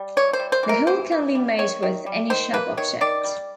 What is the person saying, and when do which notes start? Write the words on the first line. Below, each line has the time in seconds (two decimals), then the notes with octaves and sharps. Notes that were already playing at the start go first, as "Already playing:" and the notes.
The hole can be made with any sharp object.
Already playing: G3
0.17 E3 C#5
0.33 C5
0.39 G3
0.52 C5
0.63 E3
0.69 A#4
0.87 E3 C5
1.12 E3
1.35 G3
1.59 D#3 C#5
1.83 D#3
2.06 G3
2.30 D#3 C5
2.54 A#3 B4
2.77 D#3 C#5
3.01 D#3 D5
3.24 G3